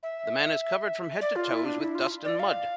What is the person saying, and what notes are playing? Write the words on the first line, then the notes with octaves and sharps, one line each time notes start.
The man is covered from head to toes with dust and mud.
E5
D5
F4
E4
D4
E4
F4
D5
F5